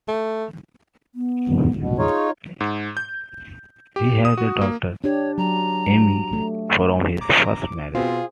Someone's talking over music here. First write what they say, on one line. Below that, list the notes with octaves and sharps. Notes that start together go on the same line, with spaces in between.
He has a daughter, Amy, from his first marriage.
A3
B3
B2
D#4 F4 G#4 C#5
G#2
G6
G4
D#6
F#4
A#3
D4 G4 C#5
F#3 A#5
A3
A#5 D6
B2 C4 F4 G#4